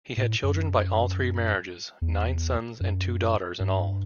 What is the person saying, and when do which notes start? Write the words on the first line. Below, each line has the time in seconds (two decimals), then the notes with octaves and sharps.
He had children by all three marriages, nine sons and two daughters in all.
0.17 A2
0.43 F#2
2.02 E2
2.81 F#2
3.60 G2